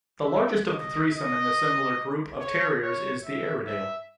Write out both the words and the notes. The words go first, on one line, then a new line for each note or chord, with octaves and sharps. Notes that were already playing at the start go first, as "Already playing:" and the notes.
The largest of the threesome in this similar group of Terriers is the Airedale.
E5
D#5
D#5
C#5
C#5
E5
E5